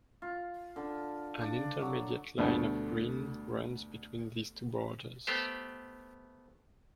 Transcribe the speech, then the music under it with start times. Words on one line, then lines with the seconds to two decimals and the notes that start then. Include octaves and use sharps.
An intermediate line of green runs between these two borders.
0.22 F4
0.76 D3
1.41 D4
1.81 F#3
2.38 D2 B2 G3 A3 D4 F#4
5.27 A3 B3 G4 C5